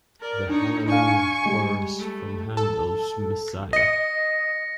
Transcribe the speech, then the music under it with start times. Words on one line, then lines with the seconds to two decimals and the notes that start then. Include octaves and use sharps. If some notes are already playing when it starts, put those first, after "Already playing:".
The Hallelujah Chorus from Handel's Messiah.
0.20 A#4 D5
0.49 D4 D#4 C#5
0.88 D4 F5 G#5 C#6
1.45 G3 G#3
1.99 A3
2.57 A4
3.73 D#5 A#6 C#7